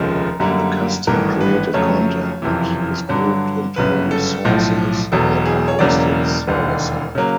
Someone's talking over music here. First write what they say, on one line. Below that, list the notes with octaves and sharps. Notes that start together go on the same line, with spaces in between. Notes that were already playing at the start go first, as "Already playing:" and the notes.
The custom created content is grouped into "resources" that are hosted server-side.
Already playing: F1 D#2 C#3 F3 G#3 A#4
F#2 D3 G3 A#3
G#1 G2 E3 A3 A#4
B4
F2 C#3 F#3 A3 C#5
F#1 F2 C3 E3
G2 D3 F#3
G1 F#2 C#3 B4
A4
B1 A2 F3
E1 E2 B2 F#3 A4
G#4
C#5
E1 E2 C#3 F#3 A#3 D5
E1 D#2 D3
C#3 F#3 A#3